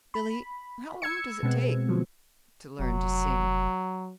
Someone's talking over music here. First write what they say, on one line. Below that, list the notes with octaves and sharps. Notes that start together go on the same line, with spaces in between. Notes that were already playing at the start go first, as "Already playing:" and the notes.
"Billy, how long does it take--to learn to sing?"
B5
E6 G#6 C#7
B2 G#3 B3 C4
D3 F3 F#3
F1 F#3